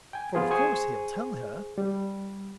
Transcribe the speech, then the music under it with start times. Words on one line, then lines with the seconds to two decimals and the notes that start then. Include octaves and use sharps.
For of course he'll tell her.
0.13 G5 G#5
0.35 F3 B3 F4 G#4
0.51 G#4 C5 G#5 C#6
1.78 G3